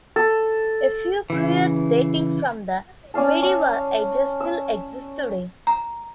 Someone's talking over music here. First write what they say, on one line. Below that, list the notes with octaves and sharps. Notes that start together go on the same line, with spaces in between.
A few cruets dating from the Medieval ages still exist today.
A4
C#3 E3
C#4 D5 F5 A5
C#4
E6
A#5